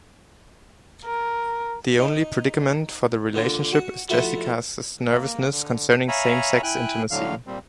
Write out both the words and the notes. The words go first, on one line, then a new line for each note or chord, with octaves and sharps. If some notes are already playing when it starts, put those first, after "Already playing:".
The only predicament for the relationship is Jessica's nervousness concerning same-sex intimacy.
A#4
D#4
A#2 D3
F#4
F3 A3 E4 F#4
A#3
D3
C#5 E5 F5 G#5 A#5 B5
E4 G5 G#5 F#6
A2 D3 F#3 F5
A#2 G3 C4